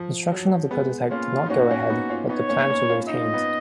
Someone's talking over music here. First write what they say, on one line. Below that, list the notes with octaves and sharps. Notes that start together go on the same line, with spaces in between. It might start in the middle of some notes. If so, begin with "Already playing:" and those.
Construction of the prototype did not go ahead, but the plans were retained.
Already playing: F3
F#3
G#3 B3
A#3 C#4 F4
D#4
A#3 C#4 F#4
A#3 C#4
B3 D#4
C#4 F4
B3 D#4 C#5
A#3 C#4
A#3 C#4
C#4 F4
D#4 D#5
F4
B3 D#4